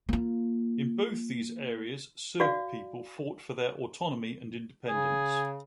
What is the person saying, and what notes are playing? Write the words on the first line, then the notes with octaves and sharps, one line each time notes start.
In both these areas, Serb people fought for their autonomy and independence.
A#3 F4
F#4 D5 F5
C#3 G#4